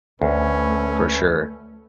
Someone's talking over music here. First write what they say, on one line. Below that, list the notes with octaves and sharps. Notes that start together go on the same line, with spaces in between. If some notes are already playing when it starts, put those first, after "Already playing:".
For sure.
D2 A3 C#4 B4